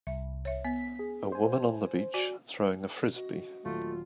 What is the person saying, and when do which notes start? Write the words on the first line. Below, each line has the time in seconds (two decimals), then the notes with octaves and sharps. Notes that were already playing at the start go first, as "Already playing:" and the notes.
A woman on the beach throwing a frisbee.
0.07 C2 E5
0.45 C#5 E5
0.65 B3 B6
0.99 G#4
1.32 C5 G#5
2.14 F#4 D5 G#5
3.14 F#4 D#5
3.65 D#1 F#3 A3 F4